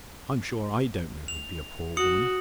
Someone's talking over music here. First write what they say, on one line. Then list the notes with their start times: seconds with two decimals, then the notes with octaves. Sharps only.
I'm sure I don't know who'd be a poor woman!
1.28 F7
1.97 F#4 D#6 C#7 F#7